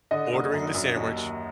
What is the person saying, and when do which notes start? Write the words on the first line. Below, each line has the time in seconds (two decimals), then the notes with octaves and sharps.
ordering the sandwich,
0.11 D3 D#5
0.32 F#1
0.53 F#2
0.75 F#2
0.96 D#2
1.17 D#2